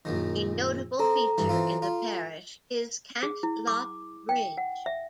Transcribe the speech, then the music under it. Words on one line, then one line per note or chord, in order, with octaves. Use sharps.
A notable feature in the parish is Cantlop Bridge.
A#1 F#2 D#3
C4 A4 A#5
G2 E3
E3 C4 F4
F4
G#4
E4
D6
G5
F#5
E5